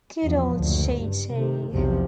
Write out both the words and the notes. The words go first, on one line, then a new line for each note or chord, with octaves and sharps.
Good old Chee-Chee!
B1 E2 F3
F#1 D2
G2
C3 D#3
B1 E2 C3 F3